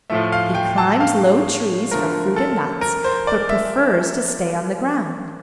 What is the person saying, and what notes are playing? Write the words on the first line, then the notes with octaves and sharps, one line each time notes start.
He climbs low trees for fruit and nuts, but prefers to stay on the ground.
A2 F3 A3 E5
F5
G5
A5
F5
D3 F3 A3 A#4
A4
A#4
C5
D5
E5